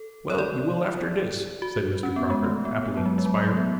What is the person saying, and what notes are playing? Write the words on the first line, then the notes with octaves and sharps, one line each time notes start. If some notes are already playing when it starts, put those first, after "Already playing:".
"Well, you will after dis!" said Mr. Crocker, happily inspired.
Already playing: A4
C#5
D5
F#4
C#4
B3
G#3
A3
B3
B3
F#3
G#3
G#3
F#3
G#3
A3
B3